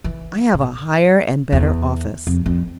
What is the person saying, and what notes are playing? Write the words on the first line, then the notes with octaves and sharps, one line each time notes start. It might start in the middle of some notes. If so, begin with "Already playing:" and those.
I have a higher and better office.
E3
A2
E2
F2
F2